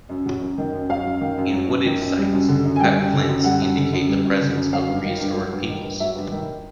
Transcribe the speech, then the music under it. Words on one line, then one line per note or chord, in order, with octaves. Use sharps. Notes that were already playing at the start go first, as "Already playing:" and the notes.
In wooded sites, cut flints indicate the presence of prehistoric peoples.
F#2
F#3
F#2
D#3
F#2
F#3 F5
F#2
D#3
F#2
F#3
F#2
D#3
F#2
G3
F#2
D3
F#2
G#5
G3 G5
F#2
D3
F#2
G3 F#5
F#2
D3
F#2
G3
F#2
D3
F#2
F#3 F5
G2
D#3
G2
F#3
G2
D#3
G2
F#3 E5
G2
D#3